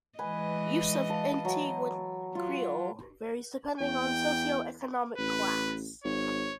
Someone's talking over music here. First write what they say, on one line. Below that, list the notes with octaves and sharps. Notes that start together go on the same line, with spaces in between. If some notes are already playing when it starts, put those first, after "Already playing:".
Use of Antiguan Creole varies depending on socio-economic class.
E3 G#3 B4 D#5 G#5
F5 A5
F#3
F#3 F4
E2 G5
A1 B4
G#1 C#5